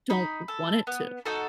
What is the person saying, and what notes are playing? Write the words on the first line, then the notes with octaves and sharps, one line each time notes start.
don't want it to.
D#4 B5
A4
B3
D#4 F#4 A4